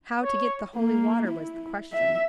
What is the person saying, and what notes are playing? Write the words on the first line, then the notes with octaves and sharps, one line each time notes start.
How to get the holy water was the question.
C#5
A#3
E4
E5